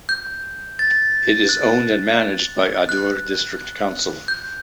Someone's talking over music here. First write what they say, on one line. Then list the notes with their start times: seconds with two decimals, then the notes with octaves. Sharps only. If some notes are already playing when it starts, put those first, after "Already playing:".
It is owned and managed by Adur District Council.
0.09 G6
0.79 A6
1.49 F#6
2.89 F#6
4.28 G6